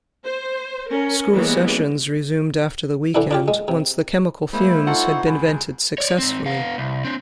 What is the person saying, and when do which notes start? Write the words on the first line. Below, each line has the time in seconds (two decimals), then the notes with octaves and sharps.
School sessions resumed after the weekend once the chemical fumes had been vented successfully.
0.24 C5
0.89 C#4 A#4
1.33 E3 G3 G#3 A#3 B3 C#4
3.15 D3 E3 D4 E4
3.31 D4 F4 G4
3.48 G#3
3.68 C3
4.53 G#3 A#3 E4 C5 B5
4.87 D#4 F4 A4 F#5 C#6
5.26 C#2 G#4 B5
5.98 C#5 D5
6.18 G#2 C4
6.46 B3 F5
6.78 C2
7.05 C4 D4